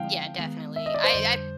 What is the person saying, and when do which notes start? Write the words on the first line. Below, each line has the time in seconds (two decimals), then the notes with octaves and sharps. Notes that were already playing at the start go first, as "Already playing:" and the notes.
Yeah, definitely. I I
Already playing: D3 F3 G#3 C4 E4 F5 G5
0.38 D#3 G#3 B3
0.76 E5
0.86 D#5
0.94 D5
1.04 C5
1.14 F2 D3 G3